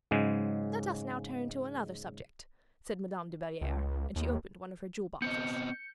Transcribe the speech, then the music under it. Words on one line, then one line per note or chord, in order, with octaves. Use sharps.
"Let us now turn to another subject," said Madame de Belliere; and she opened one of her jewel-boxes.
G#2 C#3 F#3 G#3
C#2
D#2
B3 C4 D#5 G6 C#7